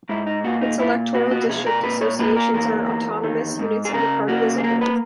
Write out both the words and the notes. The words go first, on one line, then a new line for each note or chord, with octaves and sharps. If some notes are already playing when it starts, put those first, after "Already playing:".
Its Electoral District Associations are autonomous units of the party as a whole.
G#2 E4
D#4
A#2 F#4
D#4
A#2 E4
B2 F#4
F#4
B2 G#4
A#4
A#2 B4
C#5
A#3 B4
A#4
E2 A#4
E2
D#3
G#2
G#4
C#3 A#4
A#3 F#4
G#4
A#3 A#4
B4